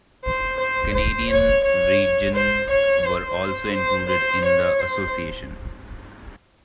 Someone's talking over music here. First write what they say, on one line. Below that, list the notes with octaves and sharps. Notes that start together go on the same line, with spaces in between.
Canadian regions were also included in the Association.
C5
C5
C5
C#5
C#5
C5
C#5
C5
C5
C5
C#5
C5